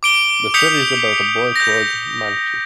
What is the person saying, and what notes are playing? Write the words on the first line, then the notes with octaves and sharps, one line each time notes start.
The story is about a boy called Mangchi.
D6 D7 G7
D#6 G6 B6 C#7 F7
G6 A#6